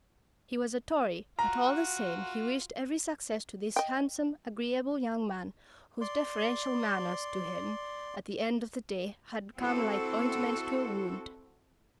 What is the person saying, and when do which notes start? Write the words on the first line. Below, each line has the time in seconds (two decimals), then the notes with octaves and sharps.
He was a Tory; but all the same he wished every success to this handsome, agreeable young man, whose deferential manners to him at the end of the day had come like ointment to a wound.
1.39 F4 F#4 A#5
3.76 D#5 G5
6.01 D5 C6
9.58 C4 E4 F#4 A4